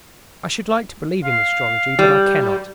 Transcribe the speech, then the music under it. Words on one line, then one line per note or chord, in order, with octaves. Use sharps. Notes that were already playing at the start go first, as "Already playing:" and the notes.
I should like to believe in astrology, but I cannot.
F5
G3